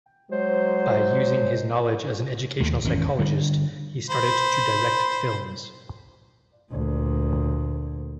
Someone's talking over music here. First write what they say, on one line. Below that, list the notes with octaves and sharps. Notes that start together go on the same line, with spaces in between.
By using his knowledge as an educational psychologist he started to direct films.
F#3 G#3 C5
D#2 A3
G#1 E2 D3 C#4
G2 D3 G3
C5 B5
D2 A#2